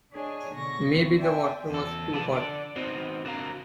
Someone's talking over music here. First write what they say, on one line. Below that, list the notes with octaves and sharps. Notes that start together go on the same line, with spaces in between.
Maybe the water was too hot.
D4 G#4 C#5 D#5 G#5
B2 D3 C#6 A#6
D3 B3 C4
D5 E5 G5 G#5 C6
E2 A4
C2 F3 B4 D5 D#5 A5
D3 D5
B3 C4 D#4 F#4 C5
D4 F#4 A#4 F5 A#5